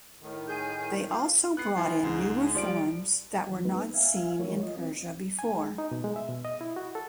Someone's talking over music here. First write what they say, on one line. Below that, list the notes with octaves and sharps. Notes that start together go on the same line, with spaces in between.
They also brought in new reforms that were not seen in Persia before.
A2 D#3
G#4 G#5 G6
F4 F5 D6
B3 F#6 C7
F3 E4 G#5
C#2 G#2
F3 G3 D5 D7
E3 F#3
G#3 A3 B3 D#4 B4
E5 F5 G#5
E3 F3 A3 F#4 A#4 C#5
F4 D#5
C4
G#5
G#3
D#4
B2
G#3
E5
B2
D#5
E4
F#4
A4